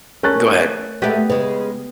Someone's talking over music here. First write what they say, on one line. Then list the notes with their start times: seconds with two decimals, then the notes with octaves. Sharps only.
go ahead.
0.23 A3 C#4 A#4 F#6 A6
1.02 G#3 A3 B3 G4 D5
1.30 C#3 G#3 B4